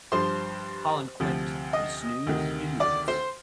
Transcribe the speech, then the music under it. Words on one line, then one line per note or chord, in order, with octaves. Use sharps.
Holland quipped, You snooze, you lose.
G2 F3 C5 C6
D2 C3 F3
D#5 D#6
D2 C3 D#3
D5 D6
C5 C6